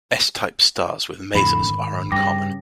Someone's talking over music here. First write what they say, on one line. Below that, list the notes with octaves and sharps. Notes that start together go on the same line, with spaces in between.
S-type stars with masers are uncommon.
F2 A2 D3 B5 E7
G#1
G2 C#3 G5 D6 A#6